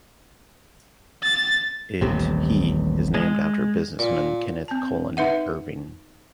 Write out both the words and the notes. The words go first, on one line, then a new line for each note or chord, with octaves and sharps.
It/He is named after businessman Kenneth Colin Irving.
A6
D#1 A1 C3
G#3
A#2
C4 A5
D#4 B4 E5 F#5